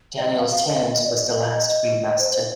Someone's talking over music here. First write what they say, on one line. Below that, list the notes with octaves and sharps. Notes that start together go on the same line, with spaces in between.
Daniel Stearns was the last brewmaster.
D5
D#5
D#5
F5
F5
D#5
D#5
D#5
D5
D#5
D#5
D#5
C5
C5